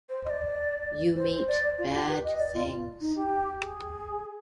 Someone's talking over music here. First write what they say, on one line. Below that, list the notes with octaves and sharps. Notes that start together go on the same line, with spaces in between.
You meet bad things.
C5
D#5
D5
C5
C5
D5
F4
G4
B4
D#5
D5
F4
D#4
G4
G#4